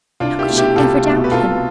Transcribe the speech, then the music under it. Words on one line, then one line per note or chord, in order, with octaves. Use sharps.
How could she ever doubt him?
C2 D4 F4
E4 G4
B2 A3
E4 G4
C2 F4 A4
A3
B2
B4
C2 F4 A4